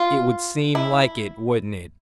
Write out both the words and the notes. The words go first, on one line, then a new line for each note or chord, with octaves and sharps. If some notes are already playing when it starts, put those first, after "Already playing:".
"It would seem like it, wouldn't it."
Already playing: F4
E4